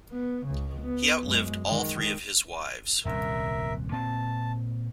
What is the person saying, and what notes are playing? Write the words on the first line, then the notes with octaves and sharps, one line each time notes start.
He outlived all three of his wives.
B3
C#2 C#3
B3
F#2 G#3
D#3 G#3
D#1 C2 F#2 A#4 E5
A#2 C4 A5